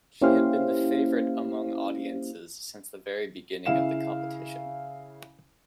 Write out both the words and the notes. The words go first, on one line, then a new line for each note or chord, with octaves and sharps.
She had been the favourite among audiences since the very beginning of the competition.
A#3 C#4 E4 G4 C5 F5
C#3 E4 F5 E7